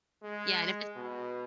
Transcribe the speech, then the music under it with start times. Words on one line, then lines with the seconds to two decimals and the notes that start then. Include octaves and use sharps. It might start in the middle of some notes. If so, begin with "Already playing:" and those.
Yeah, and if it's
0.22 G#3
0.96 B2